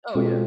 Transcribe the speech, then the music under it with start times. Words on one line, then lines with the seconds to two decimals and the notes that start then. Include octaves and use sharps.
Oh, yeah.
0.15 B2 G#3 C4 F4 A4